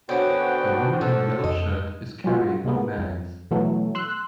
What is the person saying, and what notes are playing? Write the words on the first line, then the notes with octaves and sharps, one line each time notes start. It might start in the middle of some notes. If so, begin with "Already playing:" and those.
A woman in a yellow shirt is carrying two bags.
D3 B3 C#4 D4 F#4 C5 G5
B2 F3 A4
F2 D#5
F#3 G#3 F4 F#4
C3 G#3 A#3 B3
F2
B2 E3 F#3 A3
C6 E6 F#6